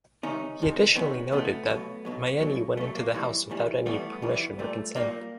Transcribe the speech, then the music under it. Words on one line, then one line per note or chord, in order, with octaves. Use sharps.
He additionally noted that Myeni went in the house without any permission or consent.
C#2 C3 D#3 C#4 D#4
C#2 C3 D#3
C#2 C3 D#3 B3 C#4
C#2 C3 D#3 A3 B3
B1 B2 F#3
B1 B2 F#3
B1 B2 F#3
B1 B2 F#3 A3
A#3
B1 A2 E3 G3
B1 A2 E3 G3
B1 A2 E3 G3 A3 B3
B1 A2 E3 G3
B1 A#2 G3 A3
B1 A#2 G3 A#3